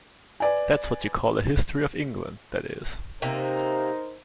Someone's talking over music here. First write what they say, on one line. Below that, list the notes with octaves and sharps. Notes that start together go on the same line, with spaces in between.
That’s what you call a History of England, that is.
B4 D5 G#5
C3 A#3 D#4 A#4 C5